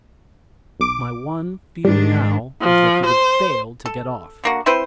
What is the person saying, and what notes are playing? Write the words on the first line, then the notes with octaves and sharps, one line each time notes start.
My one fear now was that he would fail to get off.
B1 D6
G#2 D#3 G3 D4
F3
C5
A4
D3 A#3 F#4
C4 E4 B4 C5